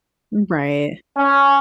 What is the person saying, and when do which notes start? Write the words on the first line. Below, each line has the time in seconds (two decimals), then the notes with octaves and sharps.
Mm, right.
1.17 C#4